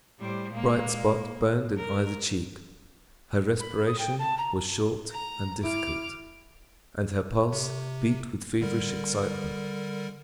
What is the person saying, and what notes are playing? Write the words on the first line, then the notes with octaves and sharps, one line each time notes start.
A bright spot burned in either cheek, her respiration was short and difficult, and her pulse beat with feverish excitement.
A2 G3 C5
A#2 G#3 A#3
A#4
B5
D#6
G5
A5
A#5
A#5
E4 D6 F6
C3
D3 G3 A#4